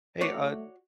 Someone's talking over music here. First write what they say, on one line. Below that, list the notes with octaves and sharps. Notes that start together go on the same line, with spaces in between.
Hey, uh,
A3 F#4 C#5 D5